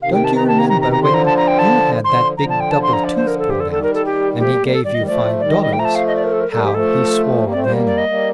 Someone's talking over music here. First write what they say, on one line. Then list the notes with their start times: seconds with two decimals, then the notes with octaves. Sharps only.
Don't you remember when you had that big double tooth pulled out, and he gave you five dollars, how he swore then?
0.02 C3 D#3 F5
0.13 G5
0.24 A5
0.36 A#5
0.47 A5
0.58 A#5
0.69 A#5
0.81 A#5
0.92 A#5
1.02 D3 F3 C6
1.14 A#5
1.26 A5
1.37 A#5
1.47 G5
1.58 A5
2.03 D3 F3 C6
2.37 D3 F3 A#5
2.49 A5
2.60 G5
2.71 A5
2.83 C6
2.93 A#5
3.04 D5
3.16 C5
3.27 A#4
3.38 A4
3.50 G4
3.60 A4
3.67 F3
3.71 D#3 G3 A4
3.83 A#4
3.94 A4
4.05 G4
4.38 F3 A3 G4
4.50 G3 A#3
4.61 G3 A#3
4.72 A4
4.83 D#3 G3 D5
4.94 D#3 G3 D#5
5.05 F3 A3 D5
5.39 D#3 G3 D5
5.50 D#5
5.61 D#5
5.73 F3 A3 G5
5.79 A#5
5.84 A5
5.95 F5
6.07 D#5
6.15 D5
6.24 A#4
6.32 A4
6.40 A#4
6.51 G3 A#3 A4
6.63 F3 A3 G4
6.74 F3 A3 A4
7.41 G3 A#3
7.52 A3 C4 D5
7.63 G3 A#3 C5
7.87 D5
7.97 D#5
8.08 G3 A#3